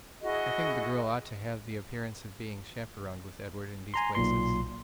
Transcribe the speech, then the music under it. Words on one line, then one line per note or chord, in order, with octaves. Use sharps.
I think the girl ought to have the appearance of being chaperoned with Edward in these places.
E4 F#4 G#4 D#5
G#5 A#5 C6
B1 A#2 C6